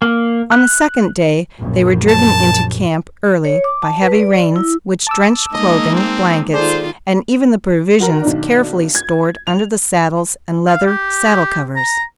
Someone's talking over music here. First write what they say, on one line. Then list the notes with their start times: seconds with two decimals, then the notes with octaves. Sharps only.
On the second day they were driven into camp early by heavy rains which drenched clothing, blankets, and even the provisions carefully stored under the saddles and leather saddle-covers.
0.02 A#3
0.52 F#6
1.60 A#1 F#2
2.08 A5
3.45 C#5
3.64 D6
3.83 A5
4.02 B4
4.20 D5
4.56 E4
5.07 A5 D6 E6
5.54 G#3 A#3 D#4 D#5
5.95 C4
6.54 D#3 F4 G#4 A4 C5 D5
8.00 F#4 A#4
8.21 B1 D#3 D4
8.95 G#6
9.47 F7
10.68 F5
10.87 G4
11.76 A#5